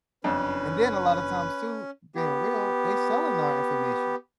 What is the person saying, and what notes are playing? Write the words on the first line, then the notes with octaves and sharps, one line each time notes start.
and then a lotta times too, being real, they selling our information
F#1 F2 C#4 D4 B4
B3 G4